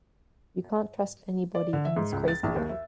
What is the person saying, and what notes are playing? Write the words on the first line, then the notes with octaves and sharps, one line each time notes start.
You can't trust anybody in this crazy world.
D5
D3
E5
G#2
C#2
A6
A#1
D#2
E5